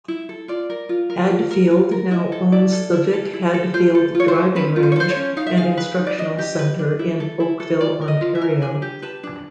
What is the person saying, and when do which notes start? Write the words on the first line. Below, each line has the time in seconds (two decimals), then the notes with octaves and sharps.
Hadfield now owns the Vic Hadfield Driving Range and instructional centre in Oakville, Ontario.
0.08 E4
0.29 A4
0.48 F4 D5
0.70 A#4
0.89 F4
1.10 A#4
1.31 F4
1.51 A#4
1.71 F4
1.91 A#4
2.11 E4 D#5
2.32 A4
2.52 E4 D5
2.72 A4
2.93 E4
3.13 A4
3.33 E4
3.54 A4
3.74 F4 C5
3.95 A4
4.15 F4 C#5
4.28 C5
4.35 A4
4.55 C#4 B4
4.76 F4
4.83 C5
4.92 C#5
4.96 A4 C5
5.10 C#5
5.17 C#4
5.37 D#4 F5
5.47 E5
5.57 G#4 F5
5.77 B4
5.98 D#4
6.07 D5
6.18 D4 D#5
6.39 G4
6.59 B4
6.79 D4
6.99 E4
7.20 A4
7.40 E4
7.60 A4
7.81 F4 D5
8.01 A#4
8.08 D#5
8.21 F4
8.35 E5
8.42 A#4
8.62 D4 G#5
8.82 G4
9.02 B4 A5
9.23 D4